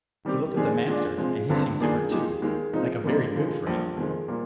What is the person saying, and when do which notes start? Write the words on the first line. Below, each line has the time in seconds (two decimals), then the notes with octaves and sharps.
He looked at the master, and he seemed different, too,--like a very good friend.
0.25 D#3 G3 C4 G4
0.56 F2 D#3 G#3 D4 G#4
0.87 A#2 G#3 D4
1.18 C3 F3 G#3
1.49 G1 G2 D3 G3 C4
1.80 D#3 A#3 D4 F4 G#4
2.11 A#2 G#3 D#4 G4
2.42 D#2 D#3 G#3
2.73 C3 F3 G#3 D#4
3.04 F2 D3 G3 A#3 D#4
3.35 D3 F3 G#3
3.66 A#1 A#2 G3
3.97 F2 C3 D#3 G#3
4.28 A#2 G3 A#3 F4